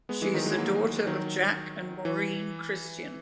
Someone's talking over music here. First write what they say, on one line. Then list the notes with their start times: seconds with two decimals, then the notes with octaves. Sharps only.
She is the daughter of Jack and Maureen Christian.
0.09 G#3 B3
0.22 E3 G#3
0.34 D#3 F#3
0.46 E3 G#3
0.58 F#3 A#3
1.07 D#3 F#3
2.05 E3